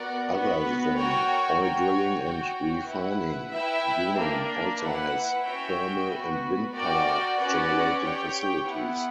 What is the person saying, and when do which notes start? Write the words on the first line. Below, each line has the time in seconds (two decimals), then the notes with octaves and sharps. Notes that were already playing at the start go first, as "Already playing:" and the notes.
Other than oil drilling and refining, Yumen also has thermal and wind power-generating facilities.
Already playing: B3 F#4 A#4 D5 F#5
0.31 B3 F#4 B4
0.95 F#4 A#4 C#5 G5
1.59 F#4 C#5 G5
2.23 F#4 C#5 G5
2.88 E4 B4 F#5
3.52 E4 B4 E5 G5
4.16 A#3 D4 A#4
4.81 E4 B4 F#5
5.45 C#4 F#4 C#5 E5 G5
6.09 B3 F#4 B4
6.73 F#4 A#4 D5 G5
7.37 C#4 F#4 B4 D5 F#5
8.02 G4 C#5 G5
8.66 B3 E4 B4 F#5